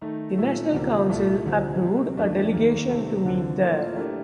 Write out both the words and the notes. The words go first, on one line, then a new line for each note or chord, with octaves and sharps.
The National Council approved a delegation to meet there.
D#3 A3 D#4
A#2 A3 D#4 A4
D2 C3 F3 A#3
C2 A#2 A3
D2 C3 F3
C3 G3 C4
F2 D#3 A3 D4
D#2 D#3 A#3
C3 D#3 A3 C4
D2 D3 F3 C4
A2 F3 A#3 F4 A4
A2 A3 D4 G4 A#4